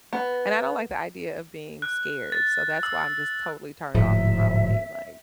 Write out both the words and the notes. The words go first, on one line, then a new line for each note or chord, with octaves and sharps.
and, I don't, like, the idea of being scared, so, that's why I'm just totally turned off from Halloween, like,
B3
F#6
A6
E6
D1 G#2 F3 E5